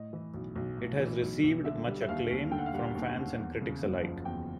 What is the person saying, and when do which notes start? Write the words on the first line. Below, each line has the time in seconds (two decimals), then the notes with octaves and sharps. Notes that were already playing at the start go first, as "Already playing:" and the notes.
It has received much acclaim from fans and critics alike.
Already playing: A2 D#5
0.13 E3
0.34 B1
0.56 B1
0.77 A2
1.00 E3
1.22 B1
1.44 B1
1.64 D3 E5
1.87 G3
2.01 E5
2.09 D#2 F5
2.30 D#2
2.51 D3 G5
2.58 F#5
2.66 F5
2.73 G3 F#5
2.95 D#2
3.16 D#2
3.38 E2
3.61 C#3
3.82 F#1
4.03 F3
4.25 E2 G5